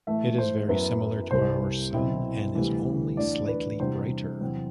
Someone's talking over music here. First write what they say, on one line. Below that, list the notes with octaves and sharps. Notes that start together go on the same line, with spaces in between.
It is very similar to our Sun and is only slightly brighter.
A2 E3 A3 E5
C5
F#2 F#3 B3 E4 B4
C2 C3 G3 C5
C2 B2 F#3 C4 E4
D2 C3 E3 G3
E2 D3 A3 D5
B4
E2 C3 G3 D4 C5
E2 C3 F#3 C4